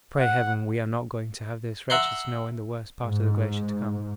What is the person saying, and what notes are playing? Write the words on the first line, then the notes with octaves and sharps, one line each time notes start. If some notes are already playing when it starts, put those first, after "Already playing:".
Pray heaven we are not going to have this wretched snow in the worst part of the glacier to come.
F#5
E5 F#5 A#5 C6
G#2